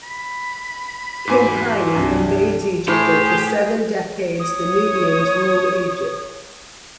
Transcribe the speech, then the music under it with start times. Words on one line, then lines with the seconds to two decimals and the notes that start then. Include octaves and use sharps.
King Piye invades Egypt and for seven decades the Nubians rule Egypt.
0.03 B5
1.28 E2 G#2 F#4 G#5 D6
1.95 C2 G2 G3 D4
2.88 A2 G4 G#4 C5
4.40 C#5 D#6